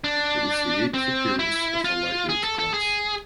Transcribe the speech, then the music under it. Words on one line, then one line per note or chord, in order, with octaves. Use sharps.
It was the eighth appearance of the lightweight class.
D4
C4
E4
F4
G#4
A4
A4
G#4